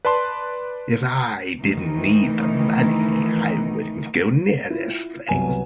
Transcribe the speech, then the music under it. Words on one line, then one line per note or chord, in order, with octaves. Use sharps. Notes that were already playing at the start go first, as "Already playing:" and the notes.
If I didn't need the money I wouldn't go near this thing.
B4 D5 A5 C6
D2 D#3 E3 D#4
E4 F4
C2 F#3 B3 B4 G#5 E7